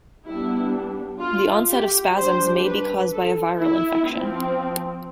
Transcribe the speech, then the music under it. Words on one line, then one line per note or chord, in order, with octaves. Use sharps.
The onset of spasms may be caused by a viral infection.
G3 B3 D4 E4
F4
G4
G3 D4 C5
B4
A4
E4
F3 C4